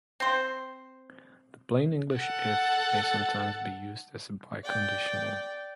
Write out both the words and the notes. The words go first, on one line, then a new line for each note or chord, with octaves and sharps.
The plain English "if'" may sometimes be used as a biconditional.
C4 C5
A4 F#5
D5 G5